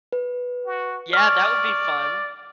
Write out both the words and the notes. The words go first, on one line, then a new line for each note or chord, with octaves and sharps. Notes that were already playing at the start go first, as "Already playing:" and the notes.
Yeah, that would be fun.
B4
F#4
D5 C#6 F6